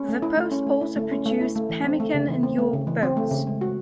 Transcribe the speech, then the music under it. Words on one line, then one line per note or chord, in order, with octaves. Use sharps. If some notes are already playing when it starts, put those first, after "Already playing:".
The post also produced pemmican and York boats.
Already playing: C#4
A3
E4
A3
C#4
A3
E4
A3
C#4
A3
E4
A3
E3
C4
A3
C#3
E3
C4
A3
C#3
E3
C4
A3
C#3
G#3
F#4